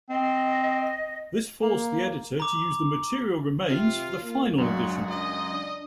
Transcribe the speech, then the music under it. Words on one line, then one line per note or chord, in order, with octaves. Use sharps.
This forced the editor to use the material remains for the final edition.
C4 D#5
A#3
A#5 D6
C3 F4
A#3
C#2 F#2 D4 F#4
D#5
D4